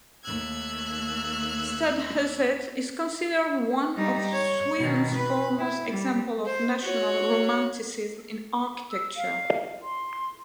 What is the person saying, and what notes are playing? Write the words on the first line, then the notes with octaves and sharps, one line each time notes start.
Stadshuset is considered one of Sweden's foremost examples of national romanticism in architecture.
D#2 A3 E6 F#6 G#6
G3 D#4
C#5
B2 D#3
B4
E4
G3
C5
F#4 C#5
E6
F5
C6